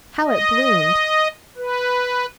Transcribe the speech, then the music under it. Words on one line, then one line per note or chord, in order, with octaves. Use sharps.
How it bloomed!
D#5
B4